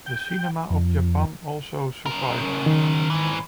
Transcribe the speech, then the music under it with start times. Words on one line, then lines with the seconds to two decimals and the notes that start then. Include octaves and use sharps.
The cinema of Japan also survived.
0.06 G5
0.70 F2
2.06 C#3 A#4
2.66 D#3
3.10 G#2 E3